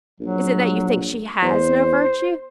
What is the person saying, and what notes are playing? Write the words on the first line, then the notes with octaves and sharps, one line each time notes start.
Is it that you think she has no virtue?'
A#1 F#3
E2 C5